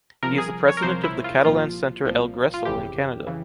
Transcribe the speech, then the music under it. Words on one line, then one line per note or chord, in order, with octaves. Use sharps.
He is the president of the Catalan center El Gresol in Canada.
C2 C3 F3 A#4
G#4
C#5
A#4
C2 C3 F3 C5
E4
F4
C2 A#2 F3 F4
C2 A#2 F3
F4
G1 F2 C#3 E3 G4
C#3 E3